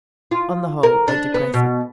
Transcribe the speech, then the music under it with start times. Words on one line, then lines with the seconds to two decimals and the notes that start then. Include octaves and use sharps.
On the whole they depress us.
0.31 F4
0.83 A#4
1.08 D4
1.34 B3
1.54 B2